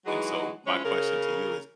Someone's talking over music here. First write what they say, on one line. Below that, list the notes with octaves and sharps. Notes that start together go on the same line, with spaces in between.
And so, my question to you is,
E3 F#3 G#3 D#4 F#4 G#4
F3 G#3 C#4 E4 C5 C#5
C#3 A#4